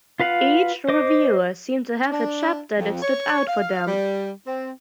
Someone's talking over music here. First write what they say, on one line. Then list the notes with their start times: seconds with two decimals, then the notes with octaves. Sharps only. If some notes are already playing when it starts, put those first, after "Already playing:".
Each reviewer seemed to have a chapter that stood out for them.
0.20 F4 B4 F5 F#5
0.89 C5 D#5 D6
2.11 D4
2.78 F2
3.02 C#5
3.48 F5
3.87 G3
4.47 C4